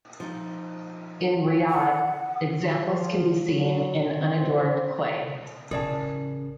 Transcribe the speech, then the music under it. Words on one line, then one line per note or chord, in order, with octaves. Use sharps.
In Riyadh, examples can be seen in unadorned clay.
F3 D#4
F#5
F3
F#3
C4
A1 C#3 G#4 A#4 D5 A5